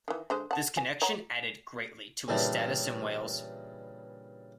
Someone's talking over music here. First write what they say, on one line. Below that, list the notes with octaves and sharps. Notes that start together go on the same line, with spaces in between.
This connection added greatly to his status in Wales.
D#3 E3
D3 G#3 C5
F#5 A5
G#5
C#5 F#5 A#5
G2 A#2 C#3 E3 G3 D4